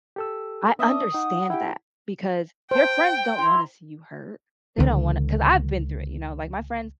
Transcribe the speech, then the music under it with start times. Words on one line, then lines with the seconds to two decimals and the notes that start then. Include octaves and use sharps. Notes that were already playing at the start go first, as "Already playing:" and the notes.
I understand that, because your friends don't wanna see you hurt. They don't wanna 'cause I've been through it, you know? Like, my friends
0.16 G4 A4 E6
0.79 B3 D4 E5 D#6
1.14 D#4 F#5
1.50 E4 G4 G5
2.71 C5 G5 A5
3.37 E4 A#5 C6
4.78 C#2 D3 E3